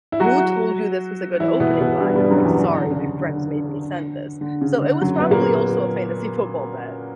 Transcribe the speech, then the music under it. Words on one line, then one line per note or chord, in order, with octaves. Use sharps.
"Who told you this was a good opening line?" I'm like, "Sorry, my friends made me send this." So it was probably also a fantasy football bet.
E4
F#3 F#4
E3 E4
B2 B3
B2 B3
G2 G3
G2 G3
F#2 F#3
E2 E3
D3
C#3
D3
D3
C#3
D3
F#2 F#3
B3
A#2 A#3